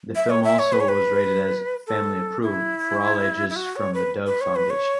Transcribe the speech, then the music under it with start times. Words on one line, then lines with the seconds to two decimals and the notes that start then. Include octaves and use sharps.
The film also was rated as "Family-Approved" for all ages from the Dove Foundation.
0.16 E5
0.30 C#5
0.44 E5
0.59 C#5
0.73 B4
0.80 C#5
0.89 B4
1.87 A4
2.43 E4
3.50 E4
3.56 F#4
3.76 C#5
3.94 B4
4.27 B4
4.41 C#5
4.56 B4
4.70 C#5